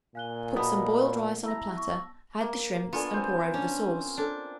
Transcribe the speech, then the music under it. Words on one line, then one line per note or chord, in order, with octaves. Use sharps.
Put some boiled rice on a platter; add the shrimps and pour over the sauce.
A#2 F5 G#5 F#6 G7
B3 F#4 D#5 A5 B5
E4 A5 A#5 E6 A#6
C#6
A#3
B3 D4 F4 A4 D5 G#5
C4 C5
C#4 D4
D4 A4 C#5